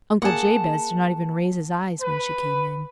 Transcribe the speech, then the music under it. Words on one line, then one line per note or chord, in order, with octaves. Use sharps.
Uncle Jabez did not even raise his eyes when she came in.
A#3 G#4 F#5 A5
B4